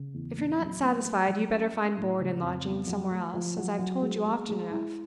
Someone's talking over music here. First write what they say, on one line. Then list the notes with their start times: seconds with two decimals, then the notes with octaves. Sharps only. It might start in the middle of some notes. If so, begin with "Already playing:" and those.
If you're not satisfied, you'd better find board and lodging somewhere else, as I've told you often enough.
Already playing: C#3
0.14 E2
0.37 A#2
0.59 F#3
0.82 A3
1.05 A3
1.28 F#3
1.51 C#4
1.73 C#4
1.97 A2
2.19 C#3
2.42 F2
2.64 B3
2.87 F#3
3.11 A3
3.34 F3
3.57 F#3
3.79 F#3
4.02 G#3
4.26 G#3
4.49 G#3
4.71 E4